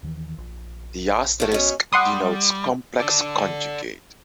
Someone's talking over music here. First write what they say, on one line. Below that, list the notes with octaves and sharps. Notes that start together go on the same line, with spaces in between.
The asterisk denotes complex conjugate.
D#2 D#3 E3
A#1
F3 A3
B2 C#4
G3 F#5 C6 D#6
A4 D5